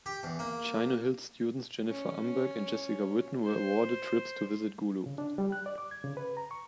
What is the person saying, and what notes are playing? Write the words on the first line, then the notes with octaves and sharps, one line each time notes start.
Chino Hills students Jennifer Umberg and Jessica Witten were awarded trips to visit Gulu.
G4
E2
A#3
C#4
C5
C#3
D4
G3
F#6
D5
D6
G#6
C#3
B4
A#5
C#6